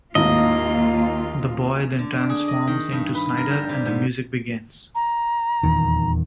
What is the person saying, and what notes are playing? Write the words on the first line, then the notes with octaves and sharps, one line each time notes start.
The boy then transforms into Snider and the music begins.
G#1 D#2 A2 A#3 F4 D#5
D3
D4
G#4
D#5
D#3
G2
B4
A#4
G3
C3
G#2
A#5
D#1 E2 D#3